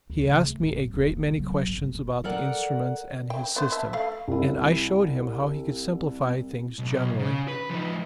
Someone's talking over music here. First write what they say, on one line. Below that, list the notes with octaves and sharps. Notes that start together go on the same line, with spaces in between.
He asked me a great many questions about the instruments and his system, and I showed him how he could simplify things generally.
D2
C#3
A3
D1
F#3
D#1
A#3
C#3
F#3
G1
D#1
A4 A#4 D5 F#5
G5
B3 C5
E5 A5
A3 F5
C2 E4
B1
C#3
B4
F3 D#4